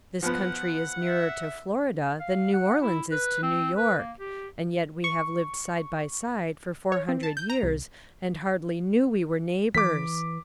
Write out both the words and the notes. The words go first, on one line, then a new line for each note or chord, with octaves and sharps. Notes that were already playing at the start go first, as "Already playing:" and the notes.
This country is nearer to Florida than New Orleans is to New York and yet we have lived side by side for four hundred years and hardly knew we were neighbors.
F3 B3 F#5
E5
F5
F#5
E4
B4
C4
B4
A#3
G4
C#6
C#5
C4
A5
G6
A#5
C2
E3 D6 B6